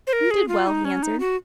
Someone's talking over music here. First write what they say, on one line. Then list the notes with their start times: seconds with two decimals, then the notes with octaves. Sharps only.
"We did well," he answered.
0.07 C5
0.13 A#4
0.31 G#4
0.48 F4
0.67 D#4
0.85 C#4
1.03 D#4
1.20 F#4